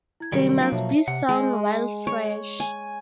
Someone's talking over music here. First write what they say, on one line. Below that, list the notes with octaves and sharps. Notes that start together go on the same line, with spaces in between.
They must be sown while fresh.
E4 G#6
C2 D#3 F#3 G3 G4 D7
F3 F#3 A#3 D4 A#4 D7
B2 C#5 E5 A5
C3 F#5
G#3
C#5
G#5